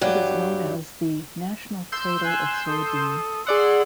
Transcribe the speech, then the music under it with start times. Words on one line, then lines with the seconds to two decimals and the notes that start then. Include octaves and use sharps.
It is known as the "National Cradle of Soybean".
0.01 G2 F#3 G4
1.92 C6 E6 G6
2.23 G#5 F#6
2.68 A4 D#6
3.47 G#4 D5 F#5 C6 E6